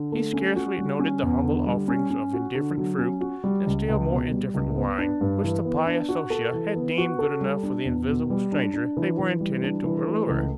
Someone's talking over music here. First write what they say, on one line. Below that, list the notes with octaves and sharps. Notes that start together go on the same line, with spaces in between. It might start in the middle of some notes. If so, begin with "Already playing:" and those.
He scarcely noted the humble offerings of indifferent fruit, and still more indifferent wine, which the pious Sosia had deemed good enough for the invisible stranger they were intended to allure.
Already playing: D3
A3
C#4
F#4
G3
C#4
E2
D3
G3
C#4
C#4
F#4
D3
F#3
C#4
F#4
G3
C#2
C#2
B2
G3
C#2
B3
D4
G2
E3
B3
D4
F#4
A4
E3
B3
F#4
A4
G3
D4
E2
B2
G3
D4
D4
E3
E3
G3
D4
E3
A3
C#2